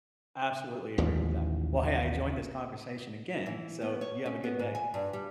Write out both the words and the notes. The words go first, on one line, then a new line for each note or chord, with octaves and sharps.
I absolutely agree with that. Well, hey, I enjoyed this conversation again, so, you have a good day.
A1 D#2 G#2 F3
E3
B3
C#5
C#4
B3
G#2
G#5
G2
G3